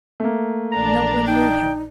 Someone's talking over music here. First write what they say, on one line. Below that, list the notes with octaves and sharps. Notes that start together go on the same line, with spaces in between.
No one knew him.
A3 A#3
A#1 E3 D4 A#5
D#4 G5